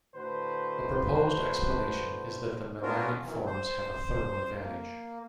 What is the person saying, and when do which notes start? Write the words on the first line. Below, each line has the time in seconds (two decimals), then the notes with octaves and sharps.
A proposed explanation is that the melanic forms have a thermal advantage.
0.14 A2 D3 F#4 B4 C5
2.82 B3 C#4 D4 F4 F#4 A#4
3.24 F#2 D#3 E3 F#3
3.47 C5
4.57 A#3